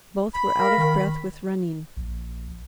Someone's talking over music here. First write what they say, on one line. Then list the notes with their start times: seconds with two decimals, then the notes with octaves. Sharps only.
Both were out of breath with running.
0.34 B5
0.59 A#4 F5
0.78 D#3
1.97 A#1